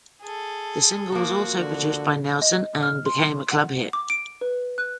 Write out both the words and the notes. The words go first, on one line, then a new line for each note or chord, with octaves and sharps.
The single was also produced by Nelson and became a club hit.
G#4 A4
F3 A#3 F#4
D3
D#5
F6
C6
F#5
D6
D7
B4
F#6